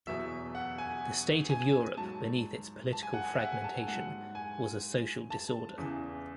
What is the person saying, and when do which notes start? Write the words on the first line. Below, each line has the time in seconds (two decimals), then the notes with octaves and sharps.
The state of Europe beneath its political fragmentation was a social disorder.
0.07 E2 B2 F#3 E5
0.55 F#5
0.78 G#5
1.49 G#5
1.97 G#2 F#3 A5
2.93 A5
3.03 G#5
3.14 F#5
3.24 G#5
3.33 E5
3.40 F#5
3.52 G#5
3.64 A5
3.75 G#5
3.88 G#2 F#3 F#5
4.35 G#5
5.30 A5
5.78 E2 C#3 E3